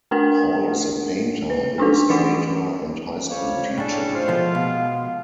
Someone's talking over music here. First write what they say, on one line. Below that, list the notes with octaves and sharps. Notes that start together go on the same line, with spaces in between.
Hall is a painter, illustrator and high school teacher.
A3 D4 A#4 F#5
B4
A3 D4 D#4 A4
E3 C#4 D#4 F#5
F2 G3 C#5 F5
A2 C#3 C#4 D4 A4 G5
G#3 F4 C5
B2 F3 A3
B2 F5